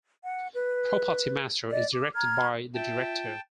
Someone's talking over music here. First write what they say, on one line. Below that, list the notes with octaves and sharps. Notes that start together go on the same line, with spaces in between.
Property master is directed by the director.
F#5
B4
D5 D#5
D6
A#5 F6 G#6
F4 E5 G5 A5